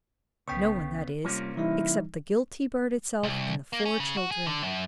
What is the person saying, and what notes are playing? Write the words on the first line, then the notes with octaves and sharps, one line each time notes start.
No one, that is, except the guilty bird itself and the four children.
B1 C#3 B3 G5 C#6
C3 G3 A#3 C#4 F4
E3 G3 D#4 E4
C2
A#3
C#4
C#3
F#4
G#4
D3
F#2